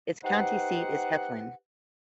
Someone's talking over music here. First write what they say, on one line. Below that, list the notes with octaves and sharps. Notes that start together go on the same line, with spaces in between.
Its county seat is Heflin.
D#4 G4 B4 C5 F#5